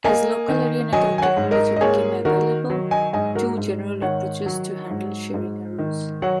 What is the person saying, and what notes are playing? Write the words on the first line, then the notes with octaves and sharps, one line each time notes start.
As local area network technology became available, two general approaches to handle sharing arose.
A#3 D#5 G#5
D#3
F#3 D#5 G#5
G#5
C#5 F#5
G#2
A#4 D#5
D#5
A#3 G#4 C#5
D#3 F#4 A#4
F#3
D#5 G#5
G#2 D#5 G#5
F#4 A#4
G#2
D#3 C#5 F#5
F#3
G#2
G#2
D#3
F#3 C#5 F#5